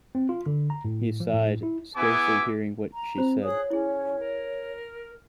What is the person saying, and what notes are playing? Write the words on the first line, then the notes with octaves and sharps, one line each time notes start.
He sighed, scarcely hearing what she said.
C4
F4
D3
A#5
A2
F3
A2
E4
B3 E4 G#4 E5 G#5 D6
A#5
C4 F4 C5
G#4 C#5 D#6 F#6
C#4 E4 G#4
A#4